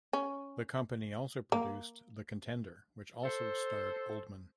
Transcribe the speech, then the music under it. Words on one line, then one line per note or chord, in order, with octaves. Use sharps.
The company also produced "The Contender", which also starred Oldman.
C#4
A#3
A4 C5